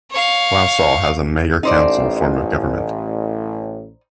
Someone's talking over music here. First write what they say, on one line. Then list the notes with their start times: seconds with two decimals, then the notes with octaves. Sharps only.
Wausau has a mayor–council form of government.
0.11 C#5 F5
1.63 A1 D#4 C5 D5